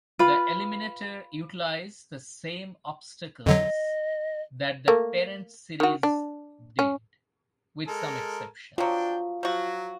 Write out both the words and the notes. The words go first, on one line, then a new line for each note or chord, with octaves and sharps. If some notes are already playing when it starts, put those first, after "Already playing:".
The Eliminator utilized the same obstacles that the parent series did, with some exceptions.
F4 B4 B5
F2 D3 F#3 D#5
A3 A#3
D#3 F#4
D4
C#4
G#3 A4 A#4
F3 F#3 D4 F4 G5
F3 F#3 F#4